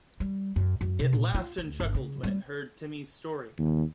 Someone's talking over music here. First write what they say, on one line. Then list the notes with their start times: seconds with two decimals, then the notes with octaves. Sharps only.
It laughed and chuckled when it heard Timmy's story.
0.20 G3
0.56 F#2
0.81 F#2
1.00 C3
1.13 A#2
1.34 F4
1.58 D2
1.80 G1
1.95 C#3
2.23 G3
3.59 D#2